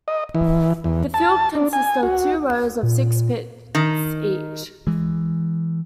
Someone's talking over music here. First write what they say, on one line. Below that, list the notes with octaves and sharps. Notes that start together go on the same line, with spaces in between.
The field consists of two rows of six pits each.
D#5
E3
E2
A5
D4
G#5
F#4
A#2
D#3
E3 G#3